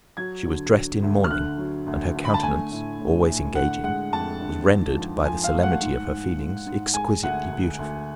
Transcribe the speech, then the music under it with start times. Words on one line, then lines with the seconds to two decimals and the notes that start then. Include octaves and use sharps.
She was dressed in mourning, and her countenance, always engaging, was rendered, by the solemnity of her feelings, exquisitely beautiful.
0.17 F#3 G#6
0.46 D3
0.74 F#3
1.02 D2
1.24 F6
1.31 D3 F#6
1.58 F#3
1.86 D2
2.15 D3
2.25 B5
2.34 A5
2.43 A3 G#5
2.71 A2
2.99 A2
3.28 A2
3.55 D3 F#5
3.83 G#3 F#5
4.12 F2 A5
4.40 D3
4.68 G#2
4.97 F3
5.25 F3 G#5
5.44 F5
5.53 A3
5.63 F#5
5.81 G#2
6.09 G#2
6.38 G#2
6.67 G#2
6.94 G#3 G#5
7.23 D2 F#5
7.51 D2
7.79 D2